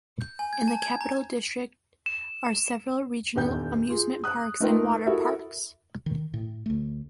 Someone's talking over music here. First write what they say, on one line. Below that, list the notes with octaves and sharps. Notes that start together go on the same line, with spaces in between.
In the Capital District are several regional amusement parks and water parks.
G6
G#5
G#6
A5
G#6
A#5
E7
D#1 E2 B3 D4 G5 G6
F4 G#4
D#6 F#6
A3 D#4 F4 A#4 B4 G5
E4 F#4 A4 A#4 E5
D#3
A2
D2 A3